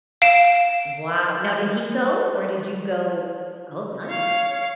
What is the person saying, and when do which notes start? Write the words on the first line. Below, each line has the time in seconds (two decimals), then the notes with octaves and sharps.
Wow, now did he go or did you go? Oh, nice.
0.22 F5 D7 E7
4.06 C#5 F5